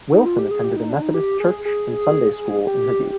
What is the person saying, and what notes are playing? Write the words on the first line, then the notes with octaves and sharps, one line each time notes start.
Wilson attended a Methodist church and Sunday School in her youth.
D#4
F4
G4
G#4
G4
D#4
D4
D#4
G4
G#4
G#4
G4